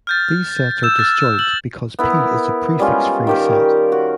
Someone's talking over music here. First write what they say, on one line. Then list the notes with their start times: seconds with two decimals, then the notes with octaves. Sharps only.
These sets are disjoint because "P" is a prefix-free set.
0.07 F6 G6 A6
0.83 E6 G6 E7
0.99 F6 A6
1.39 F#7
1.99 B3 E4 A#4
2.79 G3 G#3 C#4 F4
3.27 D#3 G4 A#4
3.92 F#4